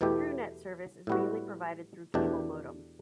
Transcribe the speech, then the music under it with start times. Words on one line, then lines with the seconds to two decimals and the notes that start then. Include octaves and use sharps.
Thrunet service is mainly provided through cable modem.
0.01 E2 B2 A3 E4 G4
1.07 A2 G3 B3 F#4
2.14 E2 B2 A3 D4 G4